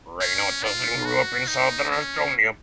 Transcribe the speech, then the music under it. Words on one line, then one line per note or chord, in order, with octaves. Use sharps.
Rein Otsason grew up in southern Estonia.
C#4
F4
F#4
D#4
C#4